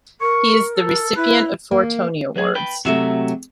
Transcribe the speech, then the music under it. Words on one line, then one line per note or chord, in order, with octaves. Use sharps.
He is the recipient of four Tony Awards.
A#4 C#6
A4
E4 B4
A#3
F#3 G#4
B4 G5
C3 F#3 A3 F#4 E5